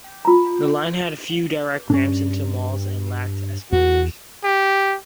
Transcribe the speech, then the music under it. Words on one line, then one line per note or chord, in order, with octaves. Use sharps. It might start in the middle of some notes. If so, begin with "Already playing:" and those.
The line had few direct ramps into malls and lacked escalators.
F4 A#5
G2 C#4 D4
E2 F#4
G4